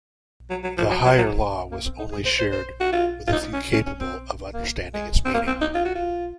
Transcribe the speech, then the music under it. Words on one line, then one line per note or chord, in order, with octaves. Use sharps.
The higher law was only shared with a few capable of understanding its meaning.
F#3
F#3
F3
F#3
F#3
F#3
A#3
C4
D#4
G#4
C5
C5
C5
F#4
F4
F4
D#4
C#4
C#4
C#4
C4
A#3
G#3
C4
A#3
C4
D#4
F4
F#4
F4